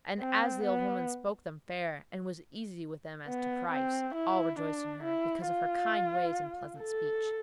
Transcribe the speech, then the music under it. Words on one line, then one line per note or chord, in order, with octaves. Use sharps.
And as the old woman spoke them fair and was easy with them as to price, all rejoiced in her, because of her kind ways and pleasant speech.
C4
B3
B3
C4
E4
D4
E4
F4
A4